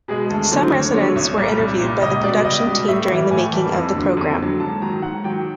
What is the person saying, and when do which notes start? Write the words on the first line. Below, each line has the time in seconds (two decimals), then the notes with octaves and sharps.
Some residents were interviewed by the production team during the making of the programme.
0.08 B2 G#3 G#4
0.30 D2 A4
0.52 D3 F#3 C5
0.73 D2 C#5
0.94 D3 F#3 C#5
1.16 C2
1.37 A#2 G3
1.59 C2
1.81 A#2 G3
2.01 C#2 D#5
2.23 B2 G3 D5
2.44 C#2 D#5
2.67 B2 G3
2.88 A2 E5
3.09 E3 G3
3.31 A2 G#5
3.52 E3 G3 A5
3.74 F2
3.95 D3 F#3
4.17 F2
4.39 D3 F#3
4.60 G#2 A5
4.81 D#3 F#3 A#5
5.02 G#2 F#5
5.24 D#3 F#3 G5